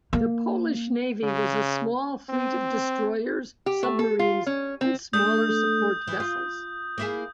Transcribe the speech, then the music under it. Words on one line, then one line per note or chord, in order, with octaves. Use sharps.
The Polish Navy was a small fleet of destroyers, submarines and smaller support vessels.
A#3
C#3
C4
G4
A3
A4
F4
C#4
C4
A3 D4 D#6 G6
E3
F4
A#3 E4 G#4